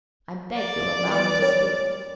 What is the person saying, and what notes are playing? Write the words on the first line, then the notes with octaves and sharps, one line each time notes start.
I beg you'll allow me to speak.
D5
E3 B3
A#4 C#5